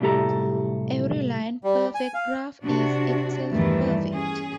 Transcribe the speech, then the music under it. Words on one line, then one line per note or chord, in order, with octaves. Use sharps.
Every line perfect graph is itself perfect.
C2 F#2 A2 G4 A4 A#5
G3
G#5
F5
C3 D4 F#4
E2 G2 D#3 E3 G3 A3
C#4 G#4